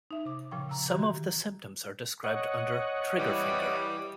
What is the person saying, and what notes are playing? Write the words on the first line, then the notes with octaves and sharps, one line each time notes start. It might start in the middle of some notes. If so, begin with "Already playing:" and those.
Some of the symptoms are described under trigger finger.
D#4 E5
C3 D6
A#2 C#3 F3 G5 C#6
A#5 E6
D#3 E3 F#4 G4 A#5
C#5 D#5 F#5
E3 G3